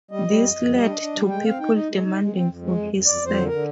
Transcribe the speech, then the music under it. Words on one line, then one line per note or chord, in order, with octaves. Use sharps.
This led to people demanding for his sack.
G3 D#5
G3
F2
F2
G3
D4
D4
G3
G#3 G5
C4 F5
D#4 G5
D#4 D#5
G#3
D#4
G#3
C4
F2
G#3
F2
F2
F2 D5
F2 C5
D3
A#4
D3